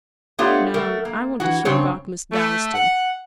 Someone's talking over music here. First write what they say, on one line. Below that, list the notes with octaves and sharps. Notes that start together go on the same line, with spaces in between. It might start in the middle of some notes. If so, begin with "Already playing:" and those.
Now I want to hear about Miss Dalstan.
A3 B3 D4 F4 G4 C#5
F#3 A3 A4 A#4
A#3
E3 F#4
G2 C#3 C4 C#5
A3
F#5